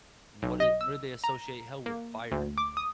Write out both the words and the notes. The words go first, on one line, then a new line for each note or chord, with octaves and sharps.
what i what they what associate hell with? Fire.
B1
D#5
E6
A#5
A#3
D2
D6
D#6